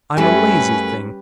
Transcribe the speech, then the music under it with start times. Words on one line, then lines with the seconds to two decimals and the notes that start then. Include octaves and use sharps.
I'm a lazy thing.
0.17 F#2 G3 A3 C#4 B4 G#5